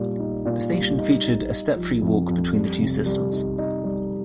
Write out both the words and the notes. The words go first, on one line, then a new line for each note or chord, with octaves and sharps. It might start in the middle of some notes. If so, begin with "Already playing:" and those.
The station featured a step-free walk between the two systems.
Already playing: A#2 G3 D#4
D#4
A#2
G3
D#4
D#4
D#4
F3
F2
F2
G3
C3
G3
D#4
D#4
G3